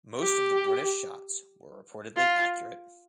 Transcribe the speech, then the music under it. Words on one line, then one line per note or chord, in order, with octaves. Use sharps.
Most of the British shots were reportedly accurate.
G4
F4